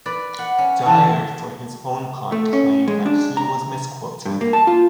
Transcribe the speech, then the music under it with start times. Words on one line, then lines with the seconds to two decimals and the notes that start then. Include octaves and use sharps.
Dyer for his own part claimed that he was misquoted.
0.06 B4 D5
0.39 F#5
0.58 C#4
0.86 E3 A5
2.32 A3
2.53 C#4
2.88 G#3
3.06 D4
3.37 A#5
4.25 G2
4.41 A#3
4.53 A5
4.67 F4